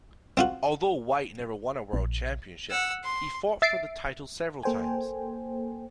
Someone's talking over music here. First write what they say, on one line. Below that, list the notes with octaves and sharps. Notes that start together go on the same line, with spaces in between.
Although White never won a world championship, he fought for the title several times.
C4 F4 F#4
A#1
F#5 E6
C6
E5 A6 C7 D7
A#3 A4 C5 G5 G#5